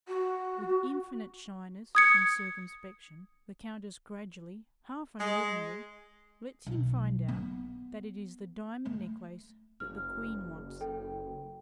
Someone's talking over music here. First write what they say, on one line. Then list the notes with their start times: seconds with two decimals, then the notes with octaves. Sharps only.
With infinite shyness and circumspection, the countess gradually, half unwillingly, lets him find out that it is the diamond necklace that the Queen wants.
0.07 F#4
1.95 D#6 G#6 C#7
5.19 G#3
6.66 B1
7.28 B3
8.85 A3
9.80 F#1 F6
10.81 A4 G5